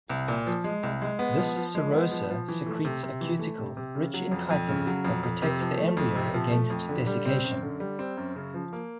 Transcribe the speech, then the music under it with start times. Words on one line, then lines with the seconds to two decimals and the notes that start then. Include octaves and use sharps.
This serosa secretes a cuticle rich in chitin that protects the embryo against desiccation.
0.09 C2
0.28 A#2
0.46 F3
0.64 G#3
0.83 C2
1.02 G#3
1.19 B3
1.37 F3
1.56 F3
1.75 G#3
1.92 B3
2.11 F3
2.30 F3
2.48 E3
2.66 A3
2.85 C3
3.03 C3
3.21 E3
3.39 A3
3.58 C3
3.77 C3
3.95 C#3
4.14 F#3
4.31 F2
4.50 F2
4.68 C#3
4.87 F#3
5.05 F2
5.23 F2
5.42 C3
5.61 F3
5.78 A3
5.97 F2
6.15 C3
6.34 F3
6.51 A3
6.70 F2
6.89 D3
7.07 G3
7.25 C4
7.44 F#2
7.63 D3
7.80 G3
7.99 C4
8.17 F#2
8.36 C#3
8.54 F3
8.73 A#3